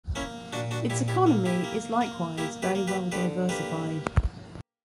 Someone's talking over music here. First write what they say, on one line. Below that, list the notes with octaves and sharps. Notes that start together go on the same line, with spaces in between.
Its economy is, likewise, very well-diversified.
A#3 C#4 E4
A#2 D4 F#4
D4 F#4
A#2 E4 G4
E4 G4
A#3
E4 G4
A#3
A#3
A#3 E4 G4
G4 B4
A#3
G4 B4
D3 G4 B4
A#3 G4 B4